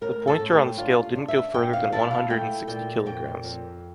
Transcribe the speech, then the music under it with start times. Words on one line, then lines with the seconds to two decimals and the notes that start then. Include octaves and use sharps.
The pointer on the scale didn’t go further than one hundred and sixty kilograms.
0.01 A2 A#4
0.27 A4
0.40 A2
0.53 G4
0.77 D4 F4
1.03 F4
1.15 D4
1.28 E5
1.54 A#2 G5
1.73 F5
1.92 E4 A5
2.11 F5
2.30 A3 G5
2.67 A#2 G5
3.06 F2 G5
3.44 F2